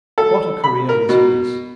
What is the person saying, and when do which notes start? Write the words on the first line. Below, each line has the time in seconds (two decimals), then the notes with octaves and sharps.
What a career was his!
0.18 A4
0.64 B5
0.89 A#4
1.09 B2